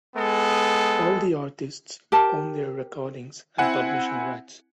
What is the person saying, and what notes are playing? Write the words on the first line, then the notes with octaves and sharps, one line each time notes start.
All the artists own their recordings and publishing rights.
G#3 B3 A4
G4 A#4 A5
C4 E4 F#5 G#5